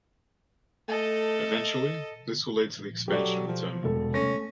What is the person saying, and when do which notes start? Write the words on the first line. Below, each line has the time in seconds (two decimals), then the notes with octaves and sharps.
Eventually, this will lead to the expansion of the terminal.
0.88 A3 A4 D#5
3.08 F#3 G4 A4 D5
3.47 F3
3.84 E1 A4
4.14 A3 C#4 A#6